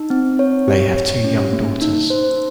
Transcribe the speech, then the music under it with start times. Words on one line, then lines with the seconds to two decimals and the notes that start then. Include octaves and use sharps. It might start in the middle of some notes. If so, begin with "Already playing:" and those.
They have two young daughters.
Already playing: D#4
0.10 C4
0.39 C#5
0.68 G4
0.96 C#5
1.24 C#4
1.53 A#3
1.82 D#4
2.10 C5